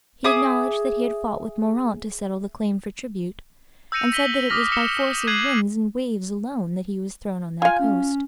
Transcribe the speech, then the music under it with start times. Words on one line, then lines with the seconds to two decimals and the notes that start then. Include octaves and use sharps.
He acknowledged that he had fought with Moraunt to settle the claim for tribute, and said that it was by force of winds and waves alone that he was thrown on their coast.
0.24 G#4 E5 D6 D#6
3.92 E6 G6 A#6 C#7 D#7 F7
4.12 A#6 B6 D#7 F#7 G7
4.50 D6 D#6 F6 A#6 B6
4.72 E6 C#7 E7 G7
5.27 F#6 G#6 C7 D#7 F#7
7.62 F4 F5 G#5
7.80 C#4